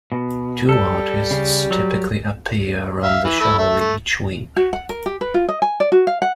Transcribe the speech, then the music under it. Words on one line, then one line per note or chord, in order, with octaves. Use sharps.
Two artists typically appear on the show each week.
B2
G3 A4
C#3
F#3
E5 F5 E6
E3
A3 B5 E6
A3 E5
A3
F#4
F#5
A#4
G4
B4
F4
D#5
G#5
D5
F#4
F5
F#5